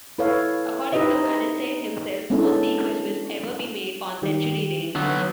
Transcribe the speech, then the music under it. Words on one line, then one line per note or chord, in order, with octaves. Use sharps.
According to Alastair himself, no sequel will ever be made on Century Rain.
E4 A4 B4 C#5 F5
D#4 G4 B4 C5 D#5 E5
G#3 B3 C#4 D4 E4 A4
D#3 G3 G4
D3 F#3 B3